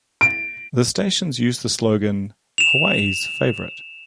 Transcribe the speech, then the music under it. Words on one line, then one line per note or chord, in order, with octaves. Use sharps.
The stations use the slogan, Hawaii's Favorite.
D7
E7 F7